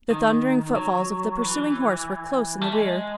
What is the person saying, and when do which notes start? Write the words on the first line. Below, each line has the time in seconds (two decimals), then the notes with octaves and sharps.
The thundering footfalls of the pursuing horse were close in the rear.
0.10 D#3
0.76 F#3
1.42 E3
2.61 A3
2.73 G#3